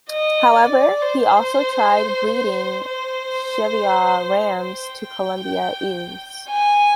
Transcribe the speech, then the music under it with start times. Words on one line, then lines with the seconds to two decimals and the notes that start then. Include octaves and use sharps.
However, he also tried breeding Cheviot rams to Columbia ewes.
0.11 D#5
0.57 D5
1.02 C5
2.86 C5
4.68 G5
6.51 G#5